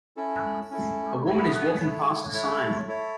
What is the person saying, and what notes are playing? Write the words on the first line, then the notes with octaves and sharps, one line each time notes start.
A woman is walking past a sign.
C#4 E4 A4
C#4 E4 A4
E4 A4 C#5
E4 A4 C#5
E4 A4 C#5
E4 A4 C#5